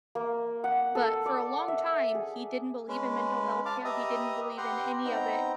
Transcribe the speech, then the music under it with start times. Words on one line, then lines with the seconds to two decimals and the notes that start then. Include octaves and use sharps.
but for a long time, he didn't believe in mental health care. He didn't believe in any of it,
0.15 A#3
0.64 F#5
0.95 A4
1.26 D5
1.68 E5
2.15 G#4
2.88 G#3 C#4 B4
3.66 F5 A5 D6
3.85 G4 B4 D#5 E5 A#5 D#6
4.58 G4 B4 F#5 G5 A#5 C6
5.05 B3 C4 D#4 G5 A#5